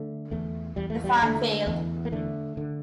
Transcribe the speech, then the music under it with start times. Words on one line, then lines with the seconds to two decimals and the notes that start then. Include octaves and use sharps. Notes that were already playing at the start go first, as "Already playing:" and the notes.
The farm failed.
Already playing: D3 A3
0.31 E2 A3
0.76 E2 G3
0.90 A3
1.04 G3
1.22 D3 A3
1.67 E2
2.05 A#3
2.12 D3 A3
2.57 D3